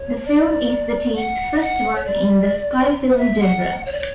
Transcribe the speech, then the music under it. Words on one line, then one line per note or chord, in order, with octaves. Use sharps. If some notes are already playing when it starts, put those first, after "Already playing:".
The film is the team's first one in the spy film genre.
Already playing: C#5
D5
F#5
E5
F#5
C#5
D5
F#5
E5
F#5
C#5
D5
C#5